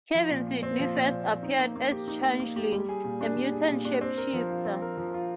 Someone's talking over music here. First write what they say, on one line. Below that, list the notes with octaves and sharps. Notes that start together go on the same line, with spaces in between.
Kevin Sydney first appeared as Changeling, a mutant shapeshifter.
F3
A#2
A#2
C4
F3
A#2
A#2
C4
D#4
A#3
A#3
G4
D#4
A#3
A#3
G4
G3
G#4
A#2
D4
G3
G#4
A#2
D4
C4
A#4
F3
F4
C4
A#4
F3
F4